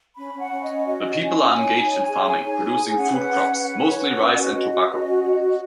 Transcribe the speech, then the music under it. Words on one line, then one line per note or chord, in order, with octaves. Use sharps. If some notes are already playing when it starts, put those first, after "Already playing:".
The people are engaged in farming, producing food crops, mostly rice and tobacco.
C#4 B5
C#4
F#5
C#4
D#5
C#4
F#4 D#5
C#4 D#5
C#4 G#5
C#4 G#5
C#5
D#4
C#5
G#4
C#5 G#5
D#4
G#4
G#4
C#4 F#5
B4
C#4
B4
B4 F#5
C#4
C#5
B4
F#5
C#4
F#4 D#5
F#4
F#4
C#4
F#4
F#4
F#4